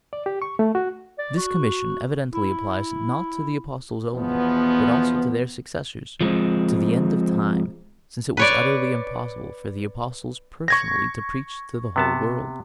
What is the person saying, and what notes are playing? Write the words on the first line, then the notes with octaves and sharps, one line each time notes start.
This commission evidently applies not to the Apostles only, but also to their successors, to the end of time, since it was utterly impossible for the Apostles personally to preach to the whole world.
D5
G4
C#6
A3
F#4
D5
F#4
E4
E2 B2 F3 B3
F3 G#3 A3 C4
B4 C#5 D5
C#6 G#6 A#6
C3 B3 A5